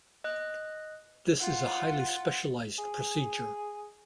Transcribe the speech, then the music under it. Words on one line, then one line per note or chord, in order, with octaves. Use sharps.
This is a highly specialized procedure.
D#5 F#6
F4 F#5
G#4